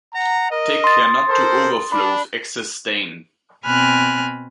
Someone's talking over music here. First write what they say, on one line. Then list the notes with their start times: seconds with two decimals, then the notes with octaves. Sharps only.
Take care not to overflow with excess stain.
0.14 F#5 A#5
0.50 A#4 D#5
0.84 C6 D#6 A6
1.29 A4 A#4 C5
1.92 D4 B5
3.65 B2 C4 G#5 B5 F6 F#6